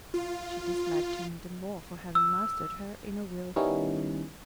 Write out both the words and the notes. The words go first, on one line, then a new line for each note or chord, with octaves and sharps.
She disliked him the more for having mastered her inner will.
F4
E6
D#3 G3 B3 C#4 D#4 E4